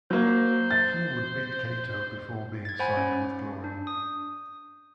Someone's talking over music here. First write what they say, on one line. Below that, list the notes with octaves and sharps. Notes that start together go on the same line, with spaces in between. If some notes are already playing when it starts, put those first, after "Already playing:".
He would beat Kaito before being signed with Glory.
F#3 A#3 C5
A6
G#6 A6
C5 F#5 G#5 B5
C#4
D4
D#6